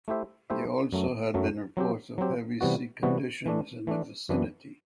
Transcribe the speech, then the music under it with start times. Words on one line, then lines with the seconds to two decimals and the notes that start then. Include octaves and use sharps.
There also had been reports of heavy sea conditions in the vicinity.
0.08 A3 E4 G4 C5 E5
0.50 A3 E4 G4 C5 E5
0.93 F#2 F#3 A3
1.34 F#2 F#3 A3
1.77 F#3 C4 G4
2.18 F#3 C4 G4
2.61 C3 E3 G3 B3 F#4
3.03 C3 E3 G3 B3 F#4
3.46 E3 A3 D4
3.87 E3 A3 D4
4.29 F#2 E3 B3 D4